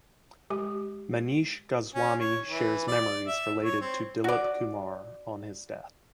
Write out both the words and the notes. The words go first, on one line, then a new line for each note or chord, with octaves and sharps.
Manish Goswami shares memories related to Dilip Kumar on his death.
G#3 G4
C#4
C#5
E3
D5
E5
C#5
C4
F#4 D5